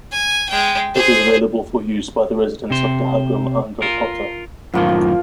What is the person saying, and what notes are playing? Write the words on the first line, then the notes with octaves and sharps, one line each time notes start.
It is available for use by the residents of Dahagram-Angarpota.
G#5
G#3 G5
G#4 C5
C3 C5
F4 A#4
F#2 A2 D#3 F3 A#3 C#6